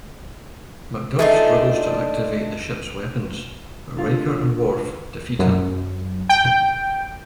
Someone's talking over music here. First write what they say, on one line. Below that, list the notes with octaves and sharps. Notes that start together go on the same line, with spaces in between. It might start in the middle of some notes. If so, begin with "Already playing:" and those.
MacDuff struggles to activate the ship's weapons, but Riker and Worf defeat him.
A3 D4 D#4 F4 G#4 E5
D3 F4
F#2
G5